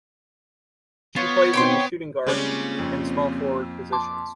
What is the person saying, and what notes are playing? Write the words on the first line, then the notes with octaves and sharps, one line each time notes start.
She plays at the shooting guard and small forward positions.
B3 F4 C#5
B2 C4 D#4 G5 B5 C6
C#3 G3 G#3 A#3 C4 C#4 F4
F2
A5 C6 D6